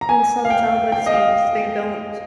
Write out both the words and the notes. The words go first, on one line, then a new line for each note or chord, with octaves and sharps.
And some job listings, they don't
A#5
G#5
F5
G5
G5
F5
D#5
F5